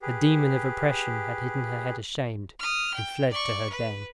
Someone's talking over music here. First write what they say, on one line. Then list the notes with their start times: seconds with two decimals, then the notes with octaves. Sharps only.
The demon of oppression had hidden her head ashamed, and fled to her den!
0.02 G4 G#4 B4
2.59 D#6 F6
2.94 G5
3.31 D5 C#6
3.70 B4